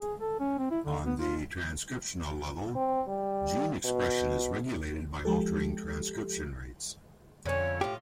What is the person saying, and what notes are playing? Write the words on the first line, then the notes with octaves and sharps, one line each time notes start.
On the transcriptional level, gene expression is regulated by altering transcription rates.
G#4
A4
C#4
C4
E4
D3
B3
F4
C4
G3
B2
F3 G#3 G4 A4
F2 D3 C#4 C#5
A2 F4 G4